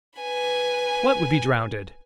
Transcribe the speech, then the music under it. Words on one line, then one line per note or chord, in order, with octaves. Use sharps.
"What would be drownded?"
B4 G#5